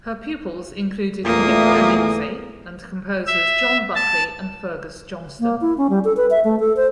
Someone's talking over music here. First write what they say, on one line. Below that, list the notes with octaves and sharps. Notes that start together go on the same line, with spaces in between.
Her pupils included Nicola Lindsay and composers John Buckley and Fergus Johnston.
E2 A#2 A3 A#3 D#6
E5
A5
A#3
E4
C#4
G3
A4
B4
E5
A3
A4
C5